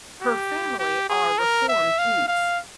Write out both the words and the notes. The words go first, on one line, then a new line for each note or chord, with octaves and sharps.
Her family are Reform Jews.
G4
G4
G#4
A#4
E5
F5
F5